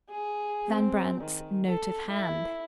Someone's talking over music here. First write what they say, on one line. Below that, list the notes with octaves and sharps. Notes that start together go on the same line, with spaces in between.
Van Brandt's note of hand!
G#4
C4
D#3
A4
E4